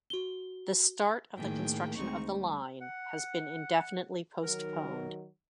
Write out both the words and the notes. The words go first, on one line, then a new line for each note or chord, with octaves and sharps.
The start of the construction of the line has been indefinitely postponed.
F#4 G7
A2 D#3 A#3 G#4 G5
D2 G#3 C4 D#4 C#6
G3
F#5
D#3 F#3 A#4